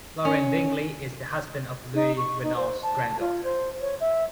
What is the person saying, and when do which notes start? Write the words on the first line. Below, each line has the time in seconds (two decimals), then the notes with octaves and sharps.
Laurent Dingli is the husband of Louis Renault's granddaughter.
0.25 C#4
1.95 D#4
2.17 C#6
2.43 D#4
2.57 C5
2.83 A5
3.20 F4
3.44 C5
3.81 C#5
4.00 E5